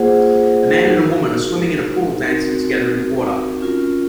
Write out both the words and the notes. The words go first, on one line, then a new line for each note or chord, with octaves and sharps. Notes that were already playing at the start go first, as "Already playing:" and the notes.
A man and a woman are swimming in a pool dancing together in the water.
Already playing: A#3 F4 G#4 C5 F#5
D#4 F#4 A#4
C4 D#4 F#4 A#4
C#4 F4 A#4